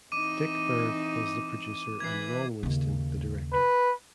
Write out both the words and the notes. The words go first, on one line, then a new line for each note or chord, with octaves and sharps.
Dick Berg was the producer and Ron Winston the director.
E3 C4 D#4 D6 D#7
E3 E4 B4 G#6 C7
D#2 C#3
B4